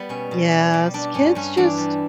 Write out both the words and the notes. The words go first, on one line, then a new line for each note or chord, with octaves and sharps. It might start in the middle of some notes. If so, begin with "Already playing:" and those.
Yes, kids just
Already playing: G3 B3
B2 C#4
B2
G3
G3
G3 D4
G2 C#4
G2 C#4
E3 D4
G3